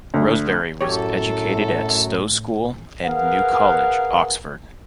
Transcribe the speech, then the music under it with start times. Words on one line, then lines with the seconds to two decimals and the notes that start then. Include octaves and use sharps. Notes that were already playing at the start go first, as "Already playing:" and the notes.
Rosebery was educated at Stowe School and New College, Oxford.
0.14 D2
0.81 F#2 A2 F#3 E4 G4 A4 C#5
3.05 G#4 A#4 B4 F5 F#5